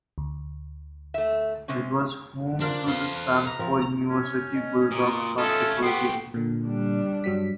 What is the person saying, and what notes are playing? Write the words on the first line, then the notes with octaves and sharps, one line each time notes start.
It was home to the Samford University Bulldogs basketball team.
D2
A3 E5
C3 G#3 C#4
D4 F4 A#4 C5
B3 F4 A4 C5
B3 A#5
F3 C4 A#4
C#4
D#5
A#2 D#6
A3 C#4 F4 A4
B3 F#4 G4 A4 C6
A#2 D3
G3 D4
G2 F#3 B6